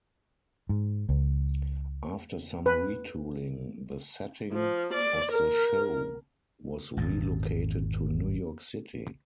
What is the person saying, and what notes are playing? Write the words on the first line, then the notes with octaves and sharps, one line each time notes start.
After some retooling, the setting of the show was relocated to New York City.
G#2
C#2
B4
F3
D5
A#4
G#1 E2 A#2